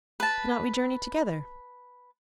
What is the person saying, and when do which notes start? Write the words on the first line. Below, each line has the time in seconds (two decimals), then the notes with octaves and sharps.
Cannot we journey together?'
0.20 B4 A5